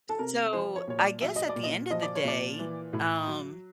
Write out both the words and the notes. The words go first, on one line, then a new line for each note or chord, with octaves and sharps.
So, I guess at the end of the day, um,
A4
C3 A#4
F3 C5
C#5
A#2 C#5
D5
F#3 E5
D#5
D5
A#2
D#5
F3 D#5
D5
C#5
A#2 D5
E3
A2
F#3